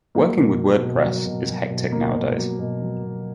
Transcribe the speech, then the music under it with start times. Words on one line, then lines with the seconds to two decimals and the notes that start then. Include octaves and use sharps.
Working with Wordpress is hectic now-a-days.
0.15 F#3 A#3
0.37 B2
0.60 F#3
0.81 B2
1.04 F#3
1.26 B2
1.49 F#3
1.70 B2
1.92 F#3 A#3
2.14 B2
2.37 F#3
2.59 B2
2.81 F#3
3.03 B2